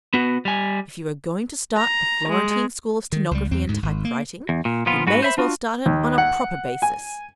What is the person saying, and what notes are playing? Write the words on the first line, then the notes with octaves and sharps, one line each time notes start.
If you are going to start the Florentine School of Stenography and Typewriting, you may as well start it on a proper basis.
B3 F#4
G3 G#5
A#5
G#3
D#3
C#2 G3
E2 C4
D2 G#2
G#1
A#3
E2
A#2
A#2 F3 B3 F4
G#2 F#4 B4
C5 E5 B5
D4 F4 F#4
D#2
F#5
G#5